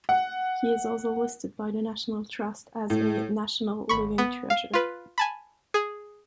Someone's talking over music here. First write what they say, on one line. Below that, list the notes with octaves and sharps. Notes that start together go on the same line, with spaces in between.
He is also listed by the National Trust as a "National Living Treasure".
F#5
A2
G#1 B5 C#6
B3
F5
F4 B4
G#5 A5 B5
G#4